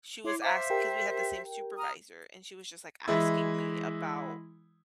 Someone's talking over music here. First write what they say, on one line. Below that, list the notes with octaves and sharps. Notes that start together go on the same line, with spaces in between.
she was ask 'cause we had the same supervisor and she was just like asking me about,
E4 C#5 C6 D6
C5 E5 F5 D6
G4 A#4 G5
A#5 D#6 F6
E3 G#3 E4